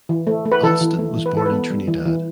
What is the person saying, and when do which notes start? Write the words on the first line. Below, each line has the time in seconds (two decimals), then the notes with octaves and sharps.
Alston was born in Trinidad.
0.09 E3
0.27 A3
0.45 A3
0.52 B4
0.63 E3 A4
0.81 E3
0.99 A3
1.17 E3
1.26 B4
1.34 E3 A4
1.46 B4
1.51 B3
1.70 G3
1.88 E3
2.06 E3